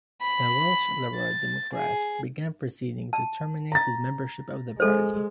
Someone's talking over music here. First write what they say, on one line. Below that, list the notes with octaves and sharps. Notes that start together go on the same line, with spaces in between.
The Welsh Liberal Democrats began proceedings to terminate his membership of the party.
B5
A6
G#4
A5
A#5 A6
G#3 A4 C5